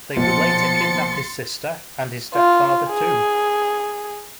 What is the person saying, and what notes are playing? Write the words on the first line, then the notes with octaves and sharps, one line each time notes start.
They would later kidnap his sister and his stepfather too.
B1 A#2 F3 C6 A6 C#7
F4
G#4